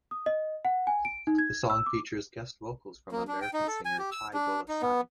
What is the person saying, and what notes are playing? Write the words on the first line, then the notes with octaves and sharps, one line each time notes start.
The song features guest vocals from American singer Ty Dolla Sign.
D#6
D#5
F#5
G#5
D7
D#4
G#6
E6
D6
A#3
D4
G5
D#4
A4
G#5
G4
E6
D4
D#4
B3